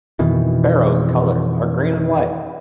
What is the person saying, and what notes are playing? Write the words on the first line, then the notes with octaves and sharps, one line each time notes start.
Beroes colours are green and white.
F2 B2 D#3 E3